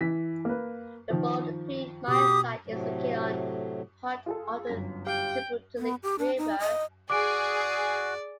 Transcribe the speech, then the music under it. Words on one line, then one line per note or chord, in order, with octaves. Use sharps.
The Boulder Creek mine site is located on part of the Tubutulik River.
E3 B6
A#3 B4
D#3 F3
B2 G4 D6 D#6
A2 C3 F#3 A3
F4 G#4 A4
G1 F#2 B6
G4 F5 G5
B3
G4
D4
D#4
D#5
F#4 G#4 D5 D6 D7